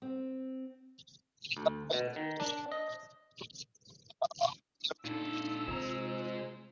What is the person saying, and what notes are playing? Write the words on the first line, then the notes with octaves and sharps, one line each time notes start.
She was made an honorary member of the Sociedad de Mexico for her work.
C4
D2
B2
D#3
D4
D#5
A#2 D4 D#4 A4 E6
C3 G#3 F4 C5 A#5